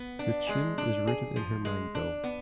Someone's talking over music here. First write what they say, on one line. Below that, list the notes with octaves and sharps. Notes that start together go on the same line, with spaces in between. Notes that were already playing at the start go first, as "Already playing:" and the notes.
The tune is rooted in her mind though.
Already playing: B3
D4
G#3
D4
G#4
F3
G#3
D4
B3